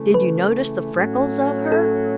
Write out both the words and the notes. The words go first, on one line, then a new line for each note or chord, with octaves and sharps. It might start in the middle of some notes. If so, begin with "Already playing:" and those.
Did you notice the freckles of her?
Already playing: C#3 E3 A3
B4
A2 F#3 C#4
A4